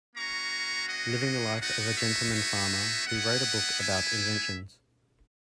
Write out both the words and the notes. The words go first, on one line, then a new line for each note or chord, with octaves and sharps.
Living the life of a gentleman farmer, he wrote a book about inventions.
A#3 C#4 F#4 A#5 C#6
D#5 F#5
B3 D#4 F#4 D#5 F#5
C#5 E5
C#5 E5
B3 E4 D#5 F#5
E5 G#5